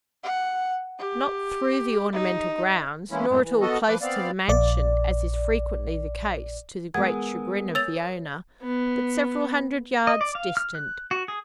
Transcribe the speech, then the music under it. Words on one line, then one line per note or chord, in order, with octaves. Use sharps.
Not through the ornamental grounds, nor at all close to the mansion--as is frequently the case, to the great chagrin of the owner--but several hundred yards distant.
F#5
G4
D#4
E3 G#3 A#3 C#4 E4
F#2 A2 G#3 B3
E3
B3 F#4 A4 D#5
F3 B4 D6
B3 C4 D5 F5
A#1 D5
G#3 B3 A#4 F#5 G#5 D#6 G#6
C#5 E6 A6 F7
B3
D#5
D5
F5
F6
F#6
F#4
G#4